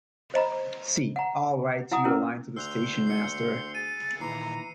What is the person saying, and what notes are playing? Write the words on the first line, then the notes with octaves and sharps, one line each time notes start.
See, I'll write you a line to the station-master.
C5 D#5 A#5 B5
F#5 A#5
E4 F#5 A#5 D#6
C#4 E4 A#4 B4
D2 C6 E6 F#6 G6 F7
C7 C#7
G#4 A6 D#7
A#2 D#3 E3 A#5 C7